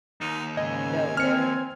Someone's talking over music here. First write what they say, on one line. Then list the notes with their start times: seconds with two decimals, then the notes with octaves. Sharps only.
No, they're
0.21 D#2 D#4
0.57 G#2 C#3 D#5 G#5
1.17 C4 F6 C#7